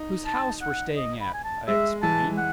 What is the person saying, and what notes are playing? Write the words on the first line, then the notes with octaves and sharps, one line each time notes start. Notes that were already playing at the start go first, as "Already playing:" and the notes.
"Whose house we're staying at," I explained.
Already playing: D#4
A5
F#5
D#5
B5
G#5
A5
G#3 E5
E3 A5
F#5